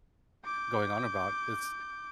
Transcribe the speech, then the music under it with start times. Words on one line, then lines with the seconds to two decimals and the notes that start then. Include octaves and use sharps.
going on about it's
0.45 D6 G6